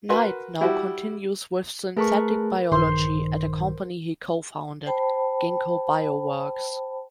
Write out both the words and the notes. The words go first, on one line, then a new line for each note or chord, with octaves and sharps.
Knight now continues with Synthetic Biology at a company he co-founded, Ginkgo Bioworks.
F#4 A#4 B4 C6
G3 E4 F#4 G4
A3 G#4 A#4 B4 A5 C#6
A#1 G2 D#3 C5 C6
C5 G5 A5 B5